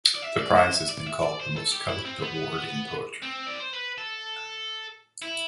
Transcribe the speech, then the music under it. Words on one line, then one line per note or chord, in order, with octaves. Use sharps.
The Prize has been called "the most coveted award in poetry".
D5
E5
D5
C5
E5
D5
E5
D5
C5
A4
G4
E4
C4
B3
C4
D5
C5
B4
A4
E4